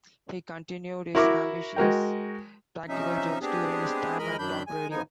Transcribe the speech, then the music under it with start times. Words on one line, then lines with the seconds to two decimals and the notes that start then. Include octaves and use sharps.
He continued his ambitious practical jokes during his time at Talk Radio.
1.15 E4 F#4 A#4 E5 C#6 D6
1.76 G#3 F#4 A#4 G5
2.88 C3 F3 C#4 D#4 E5
3.41 G#3 B3 C4 D4 G4 G#4
4.19 F2 G#3 A#4 D#5 B5
4.39 F#2 D#3 F#3 D4 B5 G6
4.67 G#3 G#5
4.91 F3 B3 D#4 G#5